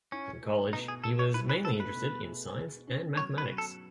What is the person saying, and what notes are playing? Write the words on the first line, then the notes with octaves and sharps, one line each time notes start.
In college, he was mainly interested in science and mathematics.
C#4 E4
A3
B2 D#4
G#4
G#4 A4
C#5
E4 B4
B4
A3 A4
B4
B2
G#4
G#4
C#4
F#3 C#5
B4
F#3
A4